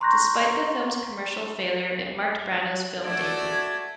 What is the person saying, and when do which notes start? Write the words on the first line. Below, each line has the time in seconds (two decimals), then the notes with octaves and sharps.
Despite the film's commercial failure, it marked Brando's film debut.
0.01 A#5 C6 C#6 F#6 G6 A#6
3.05 A3 F#4 D5 E6 G#6